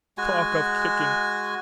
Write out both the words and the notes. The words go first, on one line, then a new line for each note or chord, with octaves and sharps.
Talk of kicking!
G#3 F#4 G#5